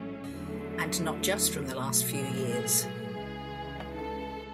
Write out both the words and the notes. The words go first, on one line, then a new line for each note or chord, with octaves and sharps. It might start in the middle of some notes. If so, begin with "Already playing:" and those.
And not just from the last few years.
Already playing: A1 G#2 F#3 A3 C#4
E2 D3 F#3 A3
B1 A2 F#3 A3
G#4
G#4
G#4
C#2 C#3 E3 G#3
A4